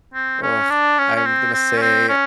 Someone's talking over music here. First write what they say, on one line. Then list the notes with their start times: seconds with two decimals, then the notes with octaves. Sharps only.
Ugh. I'm gonna say
0.14 C4
0.43 C#4
0.70 D4
0.99 C#4
1.16 C#4
1.26 C4
1.54 C4
1.77 C#4
1.82 C4
2.09 C#4